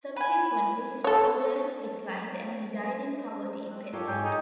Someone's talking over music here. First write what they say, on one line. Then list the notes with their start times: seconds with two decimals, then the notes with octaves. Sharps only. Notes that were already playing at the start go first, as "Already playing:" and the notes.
Subsequently, his popularity declined, and he died in poverty in Pest.
0.16 B4 G#5
1.04 A4 C#5
3.71 C4 F#6
3.93 F4 G4 A4 A#4 C#5
4.08 G#2 G5 G#5
4.23 D#4 G#4